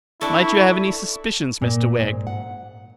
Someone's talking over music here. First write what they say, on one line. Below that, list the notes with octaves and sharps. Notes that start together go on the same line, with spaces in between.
'Might you have any suspicions, Mr Wegg?'
D4 E4 A4 C#6
A#2
G#2
F#5